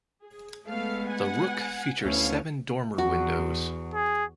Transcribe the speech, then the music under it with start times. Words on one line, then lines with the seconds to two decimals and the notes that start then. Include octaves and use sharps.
The rook features seven dormer windows.
0.22 G#4
0.67 G#3 A3 B3 A4 F5
1.10 F#5 G#5
2.03 D2 B3 C#4 E4 F5
2.98 E2 F#4
3.94 G#4